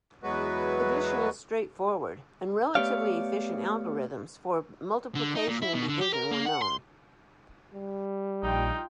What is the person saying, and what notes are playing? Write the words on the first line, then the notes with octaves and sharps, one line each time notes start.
Addition is straightforward, and relatively efficient algorithms for multiplication and division were known.
E2 F#3 G#3 B3 F#4 B4
A3 B3 G4 C#5 D5 F5
D3
D#4
A#2
E4
B2
D3
G4
A#4
A#3
F#5
C6
G3
A#1 D#4 F4 G5